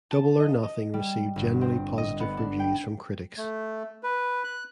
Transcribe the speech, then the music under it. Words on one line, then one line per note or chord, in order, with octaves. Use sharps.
Double or Nothing received generally positive reviews from critics.
A5
D#5
D#5
G3
G1
C4
D#5
B3
D4
G5
A3
B4
F#6